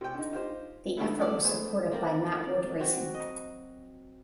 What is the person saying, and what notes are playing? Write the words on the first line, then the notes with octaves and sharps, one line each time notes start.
The effort was supported by Matt Wood Racing.
C3 G5
D3 D#4
D#4 F4 G4 C5
D3 D#3 G3 A3 B3 E4
A#1 G2 A3 A4 D5
A3 B3 G#4 C5
A#3 C4 A#4 D5
D5
F#3 C4 F#4
D#5